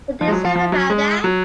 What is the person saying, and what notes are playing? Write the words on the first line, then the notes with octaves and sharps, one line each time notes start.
What do you say about that?
F3
G#3
F#3
F3
F3
F#3
G#3
F#3